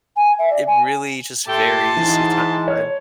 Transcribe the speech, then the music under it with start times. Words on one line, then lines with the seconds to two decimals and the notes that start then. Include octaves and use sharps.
it really just varies with time to time.
0.16 G#5
0.39 E5
0.50 D5
0.67 G#5
1.47 A3 G4 A5 C6
1.96 G#2 E3
2.68 C#5